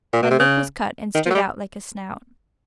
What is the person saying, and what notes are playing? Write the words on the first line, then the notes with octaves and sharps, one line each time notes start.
My lip was cut and stood out like a snout.
A#2
B2
C3
C#3
D#3
F3
F#3
G3